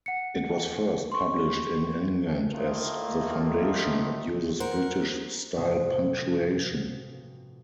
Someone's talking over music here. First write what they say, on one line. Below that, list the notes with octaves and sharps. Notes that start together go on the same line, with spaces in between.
It was first published in England as "The Foundation" and uses British-style punctuation.
F#5 C#7
C6 C#6
A2 A3 A#3 D#4 F4
A#4 C5 F#5
G1 A2 C3 F3 F#4 D#6